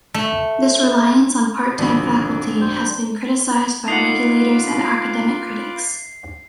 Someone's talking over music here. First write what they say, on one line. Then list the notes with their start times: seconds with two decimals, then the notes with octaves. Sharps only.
This reliance on part-time faculty has been criticized by regulators and academic critics.
0.14 A3
1.78 G#1 D2 B2 F3 A3 D4
2.61 F#2 C5 G5
3.88 D#4 F4 B4 F#5 D6 C7